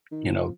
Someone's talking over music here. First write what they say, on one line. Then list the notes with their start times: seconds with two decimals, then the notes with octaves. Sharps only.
you know
0.11 D#3
0.29 F3